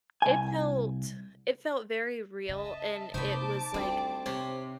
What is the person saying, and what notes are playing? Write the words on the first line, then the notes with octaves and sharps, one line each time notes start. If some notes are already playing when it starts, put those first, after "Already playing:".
It felt it felt very real, and it was, like
C2 G#5
C#3 D#5 E5 A5
C3 A#3 D#4 C5 A5 B5 C#6 D6
D2 G3 C4 D4
C3 G4 C5 C#5